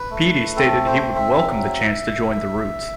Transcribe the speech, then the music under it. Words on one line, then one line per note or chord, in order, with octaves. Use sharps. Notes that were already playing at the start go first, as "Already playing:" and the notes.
Peedi stated he would welcome the chance to join The Roots.
Already playing: B4
A3
C4 A4
C5
C4
E5
F#3